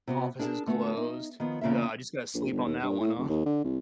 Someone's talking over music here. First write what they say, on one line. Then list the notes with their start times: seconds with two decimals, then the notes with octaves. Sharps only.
Office is closed. God, you just gotta sleep on that one, huh?
0.07 C3 B3 F#4
0.39 D4 G#4 A#4 G5 A5
0.66 D3 A3 B3 F#4
0.97 D#4
1.40 D#3 F3 B3
1.61 E2 C#3 A#3 F4 E5
2.34 A#1
2.51 G1
2.65 D#2
2.83 G2
3.00 A2
3.17 F1
3.29 D#2
3.46 D3
3.64 C2